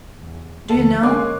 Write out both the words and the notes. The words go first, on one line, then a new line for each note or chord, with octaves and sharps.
Do you know?
E2
D#2 D3 F3 A4 A5
G1 G#3 A#3 C#4 A#4 D6 F#6